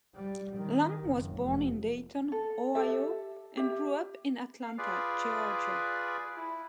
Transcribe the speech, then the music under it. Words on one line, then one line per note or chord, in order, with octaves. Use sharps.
Lang was born in Dayton, Ohio, and grew up in Atlanta, Georgia.
G3
D#3
F#1
F1
A4
G4 A4 E5
G4 E5
F5
F4 G#4 B4 D5
E4